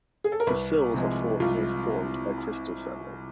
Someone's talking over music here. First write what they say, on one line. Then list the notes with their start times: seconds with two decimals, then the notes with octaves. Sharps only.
The sills are thought to have formed by crystal settling.
0.24 G#4
0.32 A4
0.40 A#4
0.47 C2 B4
0.94 C3 F3 G#3
1.40 C2 F4